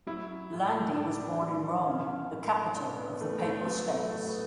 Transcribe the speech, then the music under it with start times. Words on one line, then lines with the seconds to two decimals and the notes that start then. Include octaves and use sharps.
Landi was born in Rome, the capital of the Papal States.
0.07 F#3 E4
0.52 A2
0.96 A2 D4
1.41 F#3
1.87 E3 C#4
2.31 A2
2.76 A2 D4
2.98 B3
3.21 E3 A3
3.43 A3
3.66 F#3 B3
3.88 A3
4.11 A2 A3
4.27 B3